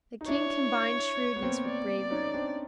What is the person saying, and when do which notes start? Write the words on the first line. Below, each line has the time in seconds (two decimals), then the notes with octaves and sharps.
The King combined shrewdness with bravery.
0.21 D#4
0.28 D4 E4 C#5
1.36 B3
1.42 A#3 C4
1.65 D5
2.11 C#4 D#4
2.34 C4 D4